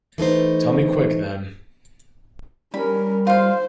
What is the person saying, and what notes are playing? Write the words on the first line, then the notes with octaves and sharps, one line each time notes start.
Tell me quick, then.
E3 A3 D#4 C5
G3 C#4 A#4 B5
F4 C5 F5